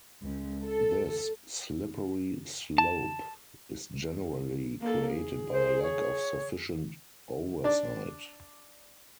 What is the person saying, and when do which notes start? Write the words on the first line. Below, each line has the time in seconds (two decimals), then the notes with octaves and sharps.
This slippery slope is generally created by a lack of sufficient oversight.
0.22 C#2
0.63 A4
2.78 A5
4.81 A#3 A4
5.12 G#4
5.52 C5
5.83 C#5
7.64 D4 D5